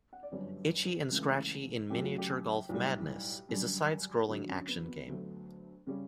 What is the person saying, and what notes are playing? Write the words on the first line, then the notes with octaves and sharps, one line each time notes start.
"Itchy and Scratchy in Miniature Golf Madness" is a side-scrolling action game.
F#5
D5
G1 F#2 D3 G3 C#5
C#2 C#3 E3 A3
F#2 C#3 F#3 A3 G4
F#4
G4
B1 A2 G3
F#2 D3 G3
D2 D3 F#3 F#4
C#4
B3
B3
D2 D3 F#3 A3
C#3 G3 C#4